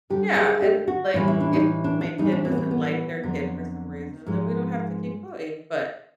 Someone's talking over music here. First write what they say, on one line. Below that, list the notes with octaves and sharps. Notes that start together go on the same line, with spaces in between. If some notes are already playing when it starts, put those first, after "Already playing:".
Yeah, and, like, if my kid doesn't like their kid for some reason, then we don't have to keep going, but
F#2 D3 G3 G4
G#4
G4
F#4
A2 E3 G3 F4
E4
D4
D#4
D4
D4
A2 E3 G3 D#4
D4
C4
B3
C4
B3
F2 D3 F#3
G#2 F3 G#3